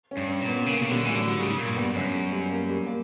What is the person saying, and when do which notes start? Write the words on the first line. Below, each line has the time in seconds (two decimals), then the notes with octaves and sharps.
The game was only released in Japan.
0.11 C#4
0.17 G2
0.28 C#4
0.41 A#2
0.48 B3
0.66 C#3 A#3
0.91 D3 G3
1.05 E3 G3
1.15 D3 F#3
1.40 C#3 G3
1.58 A#2 A#3
1.76 G2 B3
1.95 F#2 C#4
2.14 G3
2.32 G3
2.51 A#3
2.69 G3
2.87 A#3